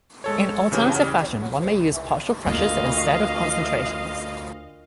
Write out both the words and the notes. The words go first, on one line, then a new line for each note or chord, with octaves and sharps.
In alternative fashion, one may use partial pressures instead of concentrations.
G#3 A4 C#5
C#3 E3 C#4 G4
D2 A#3 F4 D#5 F5